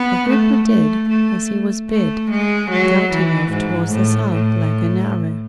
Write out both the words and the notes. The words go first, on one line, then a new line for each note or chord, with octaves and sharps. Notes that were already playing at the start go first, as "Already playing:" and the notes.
The Hoopoe did as he was bid, darting off towards the south like an arrow.
Already playing: B3
A3
A3
A3
A3
G#3
F#3
E3
G#2
A2
A2